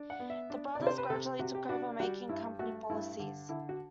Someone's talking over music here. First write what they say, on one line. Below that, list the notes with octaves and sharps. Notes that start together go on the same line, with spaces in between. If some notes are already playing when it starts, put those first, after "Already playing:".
The brothers gradually took over making company policies.
Already playing: D4
F#5
B3
E5
D4
C3 D5
C5
B4
C3 A4
C3 F#4
G4
D4 F#4
G3 F#4
G2 E4
A3 F#4
G2 E4
D3
D3 E4
F#4